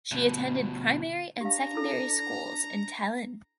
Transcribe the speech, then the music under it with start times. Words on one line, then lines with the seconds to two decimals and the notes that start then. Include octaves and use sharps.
She attended primary and secondary schools in Tallinn.
0.12 D2 B2
1.41 D4 G4 F5 A#5
1.75 E4 A4